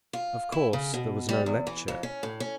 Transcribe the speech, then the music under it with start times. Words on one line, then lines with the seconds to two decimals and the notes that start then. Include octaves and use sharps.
Of course there was no lecture.
0.13 F4
0.52 E4
0.73 C#3
0.94 B2
1.29 G3
1.46 E2
1.67 E3
1.88 F2
2.03 C#4
2.23 A2
2.40 C#4